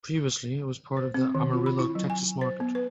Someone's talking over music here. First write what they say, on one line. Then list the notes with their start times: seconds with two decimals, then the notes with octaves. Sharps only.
Previously it was part of the Amarillo, Texas market.
0.97 C5
1.14 C4
1.35 D#3
1.53 F4
1.66 B5
1.79 E4
1.95 F#3
2.10 G#5
2.41 C5
2.60 B3
2.75 B4